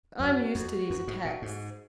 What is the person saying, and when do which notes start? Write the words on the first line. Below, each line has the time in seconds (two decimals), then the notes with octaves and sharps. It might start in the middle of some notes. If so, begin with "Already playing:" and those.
I'm used to these attacks.
0.20 F#2 F#4
0.55 F2
0.90 F#2
1.07 G#2
1.25 A#2
1.42 G#2